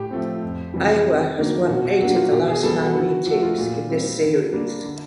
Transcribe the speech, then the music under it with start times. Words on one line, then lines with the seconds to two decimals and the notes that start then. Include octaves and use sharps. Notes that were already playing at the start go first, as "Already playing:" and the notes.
Iowa has won eight of the last nine meetings in this series.
Already playing: A2 G4
0.11 F3 A3 C4
0.42 F2
0.74 C3 E3 G3
1.06 C3
1.38 D#3 F#3 A#3 D4
1.69 B2 F#4
1.85 F#4
2.00 F#3 A#3 D4 F#4
2.16 F4
2.31 B2 G4
2.48 G#4
2.63 G3 B3 A4
2.79 F#4
2.95 D3 F#4
3.27 F3 A3 F#4
3.43 F4
3.58 A#2
3.89 G3 C4
4.21 D3
4.53 G3 A#3 D4
4.84 D3